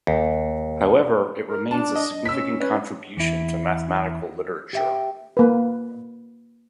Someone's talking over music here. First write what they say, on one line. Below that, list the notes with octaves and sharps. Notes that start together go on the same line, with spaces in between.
However, it remains a significant contribution to mathematical literature.
D#2
A#4
D4 A5
D#5
C#4 E6 B6
C#4 B4
E2 E4
G4 E5 G5
A#3 B4